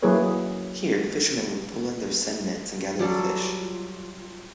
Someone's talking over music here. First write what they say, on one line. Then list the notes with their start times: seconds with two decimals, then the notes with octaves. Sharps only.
Here, fishermen would pull in their seine nets and gather the fish.
0.03 F#3 A#3 E4 G#4 B4 C#5
2.99 F#3 G3 F#4 A4
3.60 F4